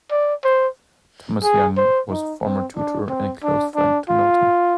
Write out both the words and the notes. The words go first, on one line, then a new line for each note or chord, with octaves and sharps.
Thomas Young was a former tutor and close friend to Milton.
D5
C5
G#4
C5
D#4
C4
D4
C4
D4
D4
F4